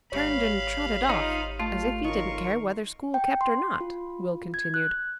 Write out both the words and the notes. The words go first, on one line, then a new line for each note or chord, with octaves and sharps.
"Turned and trotted off, as if he didn't care whether school kept or not," Will continued.
G#1 G4 C#5 F5 B5
D#4 F4 C5 D#5
A3 F4
D#3 A#4 C#6
G5
C6
F4
G#6
F#6